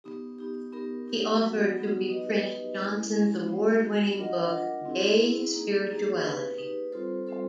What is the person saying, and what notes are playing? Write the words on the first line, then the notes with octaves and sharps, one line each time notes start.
He offered to reprint Johnson's award-winning book, Gay Spirituality.
B3 D#4 G4
B3 D#4 G4
B3 D#4 G4 A#4
B3 D#4 G4 A#4
F#3 B3 D#4 F#4
F#3 B3 D#4 F#4
B3 D#4 G4 B4 D#5
B3 D#4 G4 B4 D#5
G#3 C#4 E4
G#3 C#4 E4
G3 B3 D#4 F#4
G3 B3 D#4 F#4
D4 F4 A#4 D#5 F#5
D4 F4 A#4 D#5 F#5
C4 E4 G#4
C4 E4 G#4
A#3 D#4 G#4
A#3 D#4 G#4
D#4 G4 B4
D#4 G4 B4
G3 C4 F4 A4 C5
G3 C4 F4 A4 C5